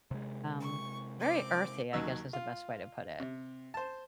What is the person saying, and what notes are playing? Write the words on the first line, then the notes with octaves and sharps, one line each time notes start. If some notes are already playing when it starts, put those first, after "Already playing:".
um, very earthy, I guess, is the best way to put it.
C3 G#3
C#6
C4 D6
D#2 F#3 D#4 E6
F4
C3
C5 A5